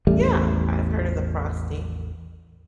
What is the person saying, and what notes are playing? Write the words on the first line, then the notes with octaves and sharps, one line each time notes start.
Yeah, I've heard of the frosty.
A1 E2 G3 A3